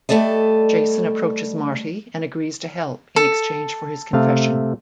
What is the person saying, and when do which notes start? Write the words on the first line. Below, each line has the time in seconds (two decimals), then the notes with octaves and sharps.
Jason approaches Marty and agrees to help in exchange for his confession.
0.09 G3 A3 A4 D5 D#5
3.16 A4
4.13 C3 A3 F5